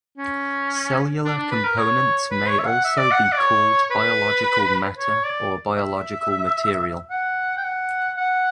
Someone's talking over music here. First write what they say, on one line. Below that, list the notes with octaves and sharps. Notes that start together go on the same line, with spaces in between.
Cellular components may also be called biological matter or biological material.
C#4
D4
D4
B4
A#4
C#5
B4
C#5
E5
F#5
E5
D5
F#5
F#5
D5
C#5
B4
C#5
D5
E5
F#5
G5
F#5
F#5